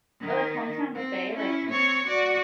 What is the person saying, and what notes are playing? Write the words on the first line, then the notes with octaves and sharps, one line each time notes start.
Or, like, Hometown Buffet, like
D#3
C4
C#4 E4
C4 C#5
F#4 D5